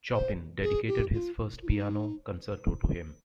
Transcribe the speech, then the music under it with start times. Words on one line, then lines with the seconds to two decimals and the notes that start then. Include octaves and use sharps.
Chopin dedicated his first piano concerto to him.
0.13 C5
0.63 G#4
0.87 G4
1.13 F4
1.62 F4
1.67 D#4